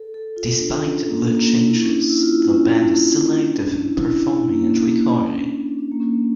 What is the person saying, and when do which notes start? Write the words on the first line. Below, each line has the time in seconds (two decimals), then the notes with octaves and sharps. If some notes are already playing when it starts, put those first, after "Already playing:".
Despite the changes, the band is still active in performing and recording.
Already playing: A4
0.14 A4
0.36 F4
0.59 D4
0.71 D4
0.80 C#4
1.08 A#3
1.37 A#3
1.55 D4
1.67 E4
1.82 C#4
1.88 D4
2.02 D4
2.10 E4
2.23 F4
2.32 E4
2.53 C#4
3.33 D4
3.40 C#4
3.62 D4
3.83 E4
3.97 E4
4.06 D4
4.27 C#4
4.49 A#3
4.70 C#4
4.91 A#3
5.13 C#4
5.27 C#4
5.36 D4
5.57 D4
5.78 D4
5.92 A#3
6.00 C#4